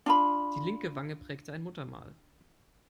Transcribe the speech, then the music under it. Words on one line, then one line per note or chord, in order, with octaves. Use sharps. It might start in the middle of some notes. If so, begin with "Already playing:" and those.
Die linke Wange prägte ein Muttermal.
D4 F4 B5